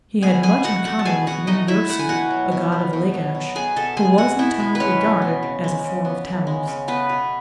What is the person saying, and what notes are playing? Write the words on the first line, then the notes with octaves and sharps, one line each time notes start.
He had much in common with Nin-Girsu, a god of Lagash, who was in turn regarded as a form of Tammuz.
B2 G#4 G#5
B2 G#4 G#5
A3 F#4 F#5
A3 F#4 F#5
A5
B2 G#4 G#5
B2 F#4 F#5
A3 D#4 D#5
A3 E4 E5
A3 F#5
G#5
B2 F#4 F#5
F#3
B2
A3
B2
F#3
B2
B3 G#4 G#5
B2 A4 A5
G#3 G#4 G#5
B2 F#4 F#5
B3 E4 E5
B2
B4
G#3 C#4 C#5
B2
B3
C#3
G#3
C#3
B3
C#3
G#3
C#3
A3 B3 B4
B2